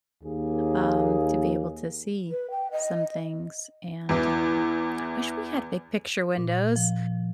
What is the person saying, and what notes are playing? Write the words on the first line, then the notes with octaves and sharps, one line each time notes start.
um, to be able to see some things, and, um, I wish we had big picture windows
D#2 A#3 G#4
B4
G5
D#5
E2 E3
A#2
F3